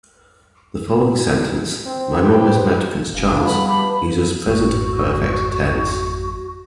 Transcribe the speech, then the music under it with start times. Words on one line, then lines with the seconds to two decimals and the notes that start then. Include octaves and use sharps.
The following sentence "My Mum has met Prince Charles" uses Present Perfect tense.
1.86 C4
2.20 G4 B4 C5 G5
3.14 F#1 F5 G#5
3.29 D4
3.45 G3 B3 G#4 A5 B5
3.68 A3 D4 G4 B5
4.47 G#1 F2 G#2 F#4